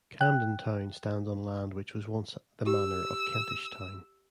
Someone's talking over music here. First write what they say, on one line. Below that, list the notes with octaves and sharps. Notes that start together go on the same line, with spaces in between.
Camden Town stands on land which was once the manor of Kentish Town.
G5 F#6
G4 E6